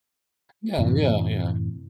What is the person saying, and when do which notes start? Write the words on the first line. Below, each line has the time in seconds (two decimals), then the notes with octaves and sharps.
Yeah, yeah, yeah.
0.78 F#2 A2 C3 E3